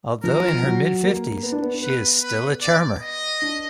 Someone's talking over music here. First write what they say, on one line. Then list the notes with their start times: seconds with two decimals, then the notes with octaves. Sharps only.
Although in her mid-fifties, she is still a charmer.
0.24 F3 A#4
0.63 F#3
1.03 A#3
1.43 B3
1.52 D4
1.62 B3
1.82 B3 B4
2.22 B4
2.62 D5
3.02 D#5
3.42 D4